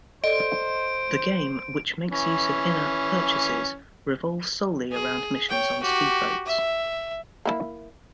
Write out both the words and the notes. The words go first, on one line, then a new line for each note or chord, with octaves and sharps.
The game, which makes use of in-app purchases, revolves solely around missions on speedboats.
A4 C5 D5 D#5 D7
E3 C#4
G#4
C#5 G5
F#4 G4
E5
A#3 E4